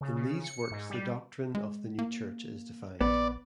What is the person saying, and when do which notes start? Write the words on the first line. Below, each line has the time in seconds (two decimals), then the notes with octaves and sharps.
In these works the doctrine of The New Church is defined.
0.01 C#3
0.15 C#3
0.44 C#7
0.71 G#2
0.90 G3
1.55 G#3
1.99 A#3
3.01 A#1 B3 D5